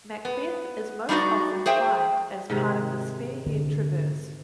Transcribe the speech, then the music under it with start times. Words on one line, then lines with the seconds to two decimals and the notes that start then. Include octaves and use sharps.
Macbeth is most often climbed as part of the "Spearhead Traverse".
0.25 B3
1.09 G3 D4 D#4 F#4 D5
1.66 G#4 C5 E5 G5
2.50 G#2 C3 D#3
3.46 D3